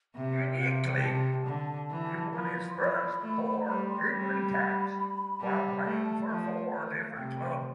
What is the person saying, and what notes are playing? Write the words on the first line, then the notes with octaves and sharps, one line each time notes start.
Uniquely, he won his first four England caps while playing for four different clubs.
C3 E5
C3 F5
E5
G5
C3 A5
D3
E3
F3 B5
C6
F3 B5
A3
G3 B5
C6
G3 B5
G3 A5
A3
F3
A3
F5
C3 G5